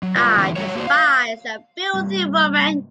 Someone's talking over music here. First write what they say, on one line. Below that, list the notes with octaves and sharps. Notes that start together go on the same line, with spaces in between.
I despise that filthy woman.
F#3
G3 F4 B4 D5
D3 E3 A3 C4 E4
F#3 G3 C#5
A#3 F#4 B4 C5 D5
F5
C2 G2